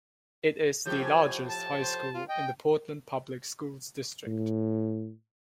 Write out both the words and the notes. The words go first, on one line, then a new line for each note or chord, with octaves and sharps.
It is the largest high school in the Portland Public Schools district.
A2 F3 G4 G6
G#5
A5
C5
F4
D#5 G5
A2